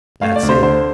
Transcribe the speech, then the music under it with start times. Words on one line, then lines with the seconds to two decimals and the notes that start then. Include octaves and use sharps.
Dat's it.
0.22 A3 F5
0.36 D5
0.43 D2
0.49 C5
0.63 D3 C5